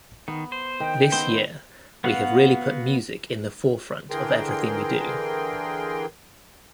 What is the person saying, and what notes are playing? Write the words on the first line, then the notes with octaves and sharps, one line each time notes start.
This year we have really put music in the forefront of everything we do.
D#3 B3
C5
D#3 G5
D#3 B3 C4 C5
B3 F#4 F5 F#5
D3 E3 G#4 A#4 G5 C6